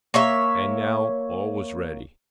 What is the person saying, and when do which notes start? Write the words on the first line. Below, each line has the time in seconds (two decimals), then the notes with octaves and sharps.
And now all was ready.
0.14 A#3 C#5 E5